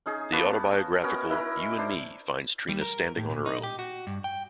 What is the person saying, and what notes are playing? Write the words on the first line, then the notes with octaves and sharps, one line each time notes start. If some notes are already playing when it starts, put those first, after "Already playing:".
The autobiographical "U and Me" finds Trina standing on her own.
C#4 D#4 G#4
A#3 B3 F#4 A5
B3 C#4 F#4 A#4
D#4 E4 A#4
D4 C5
G3
A#4
A2
A#2
D#4
G4
F#4
G2
G5